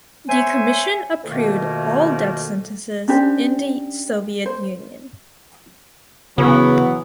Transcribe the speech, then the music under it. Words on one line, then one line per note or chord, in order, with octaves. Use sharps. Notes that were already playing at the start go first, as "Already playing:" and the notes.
The Commission approved all death sentences in the Soviet Union.
C5 C#5 E5 G#5
F2 B2 D#3 A3 A#3
C#4 D4 G4 C5
C5
C#3 E3 F#3 B3